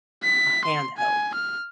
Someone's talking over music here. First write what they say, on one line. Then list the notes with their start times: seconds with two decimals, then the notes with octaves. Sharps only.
a handheld,
0.23 B6
0.65 C6
0.98 G#5
1.35 F6